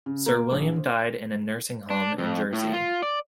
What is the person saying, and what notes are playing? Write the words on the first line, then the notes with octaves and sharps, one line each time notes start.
Sir William died in a nursing home in Jersey.
C#3
A#3
A#1
C5
D4
F2
A2
F4
D5